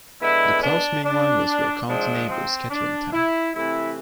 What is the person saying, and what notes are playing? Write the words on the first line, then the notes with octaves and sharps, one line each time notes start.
The club's main rivals were county neighbours Kettering Town.
D3 G#3 B3 E4
D4
D4
G#2 F3 G#3 C4 D4
C4
D4
E4
C3 E3 A3 C4 E4